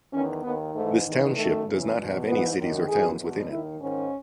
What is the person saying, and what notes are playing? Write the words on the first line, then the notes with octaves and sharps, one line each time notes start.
This township does not have any cities or towns within it.
E2 D#3 C#4
D#2 D#3 B3
G#2 E3 A3
E2 D#3
F#2 D#3 A3
E2 C#3 E3
E2 B2
G#2 E3 B3
F#2 D#3
F#2 E3 G#4
E2 B2
D#2 D#3 E4
G#2 D#3 C#4